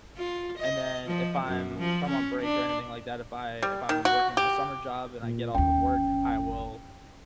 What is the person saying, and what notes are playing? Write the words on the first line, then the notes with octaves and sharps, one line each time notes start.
And then if I'm if I'm on break or anything like that, if I if I'm working my summer job and I get off of work, I will
F4
D#5
F3
F#2
F3
C#4
D4
G3
D#3
F#4
G4
A#2
G1 D#2 C#4 G5